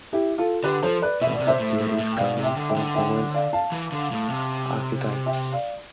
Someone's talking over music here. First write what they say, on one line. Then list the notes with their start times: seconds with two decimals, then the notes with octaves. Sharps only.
Process theories come in four common archetypes.
0.13 E4 G4
0.38 F4 A4
0.64 D3 G4 B4
0.83 F3 A4 C5
1.02 B4 D5
1.22 B2 E5
1.34 D5
1.40 C3
1.47 C5 E5
1.60 A2
1.80 A2
1.99 A2
2.13 G5
2.17 B2 D5 F5
2.38 C3
2.43 E5 G5
2.56 D3
2.69 E5 G5
2.76 D3
2.95 E5 G5
3.34 D5 F5
3.53 F5 A5
3.72 E3
3.92 D3
4.12 A2
4.30 C3
5.26 E5 G5
5.52 D5 F5